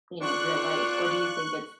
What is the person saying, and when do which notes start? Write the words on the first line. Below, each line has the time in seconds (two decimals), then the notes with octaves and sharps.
you know, real life, or do you think it's
0.21 C4 D4 F4 C#6 F#6